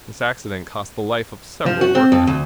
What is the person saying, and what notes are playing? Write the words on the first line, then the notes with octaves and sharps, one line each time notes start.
This accident cost the life of several workmen.
F3
F#4
C4
F2
D2